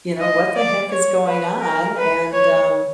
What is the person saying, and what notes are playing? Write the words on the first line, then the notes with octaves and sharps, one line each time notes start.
you know, what the heck is going on and, um,
D#5
D5
C#5
B4
A#4
B4
C#5